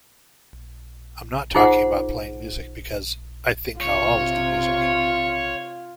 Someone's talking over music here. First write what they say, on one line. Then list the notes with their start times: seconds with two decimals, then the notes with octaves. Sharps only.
I'm not talking about playing music because I think I'll always do music.
1.55 D#4 F4 G#4 C5 F#5
3.81 C3 F4 C#5